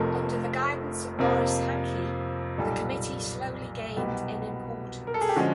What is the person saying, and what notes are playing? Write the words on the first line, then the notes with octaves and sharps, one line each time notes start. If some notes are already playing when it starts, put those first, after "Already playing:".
Under the guidance of Maurice Hankey, the Committee slowly gained in importance.
Already playing: F1 F2 C3 F3 A3 A#4
F2 C3 F3 A#3
B1 A#2 G3 A4
C2 B2 F#3 B3 G4
A#4
A4
G#4
G4
D3 F3 G#3 C#4 F#4